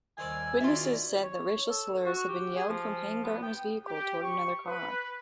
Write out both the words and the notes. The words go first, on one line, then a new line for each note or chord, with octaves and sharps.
Witnesses said that racial slurs had been yelled from Hangartner's vehicle toward another car.
D#2 D#3 G3 C5 D5 G#5 E6
B2 D#3 E3 D#4 F4 F#4 D5 E5
C#5
A4
F#4
G4
G#4
F3
B3
G5
G4
C#6
B4